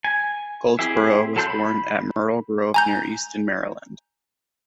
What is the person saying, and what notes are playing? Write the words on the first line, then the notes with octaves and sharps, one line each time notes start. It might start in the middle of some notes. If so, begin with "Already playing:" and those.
Goldsborough was born at "Myrtle Grove" near Easton, Maryland.
G#5
C4 E4 G4 G#4 E5
F#3 A4 A5 C6 G6
B5
G#5 A#5 G6